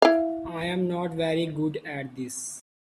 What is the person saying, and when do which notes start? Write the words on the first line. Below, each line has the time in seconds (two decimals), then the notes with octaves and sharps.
I'm not very good at this.
0.02 E4 F5